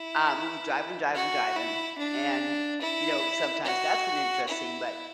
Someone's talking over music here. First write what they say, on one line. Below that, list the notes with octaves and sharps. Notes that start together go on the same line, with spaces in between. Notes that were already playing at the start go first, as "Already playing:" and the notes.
um, we were driving, driving, driving, and, you know, sometimes that's an interesting, but
Already playing: E4
F#4
E4
D4
E4
F#4
E4